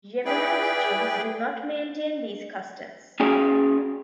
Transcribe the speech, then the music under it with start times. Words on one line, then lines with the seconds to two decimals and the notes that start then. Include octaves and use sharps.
Yemenite Jews do not maintain these customs.
0.25 E4 G#4 B4 D5 G5
3.20 C#4 F#4 G#4 D5 G5 G#5